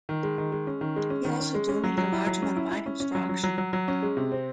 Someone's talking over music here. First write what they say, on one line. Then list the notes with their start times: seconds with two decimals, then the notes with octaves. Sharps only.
He also donated a large amount of items for auction.
0.09 D#3
0.23 G#3
0.38 D#3
0.52 G#3
0.67 C#4
0.81 D#3
0.96 G#3
1.10 C#4
1.25 D#3
1.40 C#4
1.54 G#3
1.69 C#4
1.84 F#3
1.98 F#3
2.12 E4
2.27 F#3
2.42 C#4
2.57 E4
2.71 E4
2.86 C#4
3.00 C#4
3.15 F#3
3.29 F#3
3.43 F#3
3.58 F#3
3.73 F#3
3.88 C#4
4.03 G#3
4.17 C3
4.32 C4